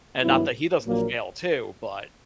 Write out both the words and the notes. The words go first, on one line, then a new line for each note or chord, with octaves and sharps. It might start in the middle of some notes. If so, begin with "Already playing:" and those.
and not that he doesn't fail too, but
G2 D#3 F#3 B3 E4
A#1 A#2 F#3 A#3